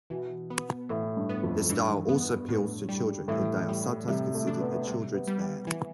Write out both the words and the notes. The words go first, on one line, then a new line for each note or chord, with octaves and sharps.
Their style also appeals to children, and they are sometimes considered a children's band.
B2 E3
B3
A2 E3
G2
B3
F2
G2 E3
B3
A2
G3
A2 E3
G3
C3 G3
A3
D4
B3
C3 G3
B3
G3
E3